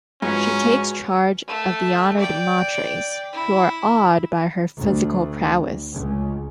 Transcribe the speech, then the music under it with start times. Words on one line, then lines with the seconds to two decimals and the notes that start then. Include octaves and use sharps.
She takes charge of the Honored Matres, who are awed by her physical prowess.
0.22 G#2 F3 G#3 C#4 F#4 B4
1.47 A3
2.19 D5 G5
3.32 E4
4.78 D2
5.93 C#2